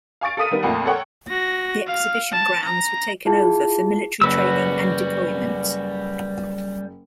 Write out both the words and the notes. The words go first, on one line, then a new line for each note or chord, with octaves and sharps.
The Exhibition Grounds were taken over for military training and deployment.
F5 G#5 C#6 A6 D7
A4 A#4 F5 D#6 B6 D#7
D#3 G3 B3
F2 A#2 A3 A#3 F#5
A4 A#4 C#5 F#5 G5 C#6
F#4 A#6
F5 F6
A5
A#5
E4 F4 G#4 A5
F#1 G3 C#4 F#4 B4 E6